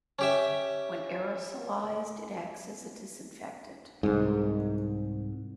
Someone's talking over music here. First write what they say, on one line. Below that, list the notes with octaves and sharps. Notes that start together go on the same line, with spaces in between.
When aerosolized it acts as a disinfectant.
C#4 G4 E5
C2 G#2